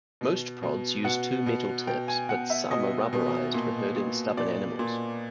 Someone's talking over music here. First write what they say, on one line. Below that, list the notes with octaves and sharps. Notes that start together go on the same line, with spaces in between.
Most prods use two metal tips, but some are rubberized for herding stubborn animals.
B2
B2
B2 F#5
B2
B2 G5
G#5
B2 F#5
E5
B2 D#5
B2
A#2
A#2
A#2 D5
A#2